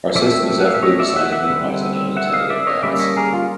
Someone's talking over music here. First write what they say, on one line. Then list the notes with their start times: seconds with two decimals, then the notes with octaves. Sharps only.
Our system is ethically designed to minimize any unintended impacts.
0.15 F3 A3 C4 D5 E5
0.60 F#5
0.67 F5
0.74 E5
0.83 C#5 D#5
0.99 D5 E5
1.16 E5 F#5
1.32 E5 F#5
1.50 D3 G3 C4
2.17 E5 F#5
2.33 D#5 F5
2.49 D5 E5
2.67 C#5 D#5
2.83 D3 G3 A#3 C#4 D5 E5
2.99 C#5 D#5
3.17 G#4 A#4
3.33 F4